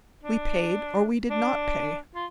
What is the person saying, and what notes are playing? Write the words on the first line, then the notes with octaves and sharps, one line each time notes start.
We paid or we did not pay.
D4
D4
F4